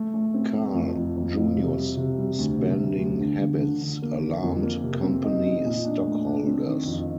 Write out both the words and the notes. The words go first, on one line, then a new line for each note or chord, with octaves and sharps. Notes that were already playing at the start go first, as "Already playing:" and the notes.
Carl, Junior's spending habits alarmed company stockholders.
Already playing: A3
A3
C4
A3
F2
F2
F2
F2
C3
G3
C3
G3
D2
C3
D2
D2
D3
D3
D3
D3
A#3
A#3
F2
A#3
C3
C4
D#4
D#4
A#2
D4
A3
D4
C4
D#3
F2